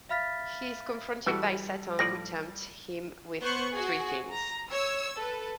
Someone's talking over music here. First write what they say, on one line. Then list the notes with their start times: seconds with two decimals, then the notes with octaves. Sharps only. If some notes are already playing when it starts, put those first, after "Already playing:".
He is confronted by Satan, who tempts him with three things.
0.09 E5 F5 B5 F6 A6 B6
1.26 E3 G3 F#4 A4
1.99 A2 F3 D5 A#6
3.42 B3 C5 C#6 F#6
3.72 F#4 G#4
4.31 A#5
4.68 C#5 E6
5.17 A4 B4